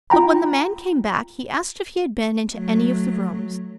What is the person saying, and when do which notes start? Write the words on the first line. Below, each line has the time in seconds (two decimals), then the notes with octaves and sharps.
But when the man came back, he asked if he had been into any of the rooms.
0.10 F4 G5 A#5 B5
2.55 F#3 A3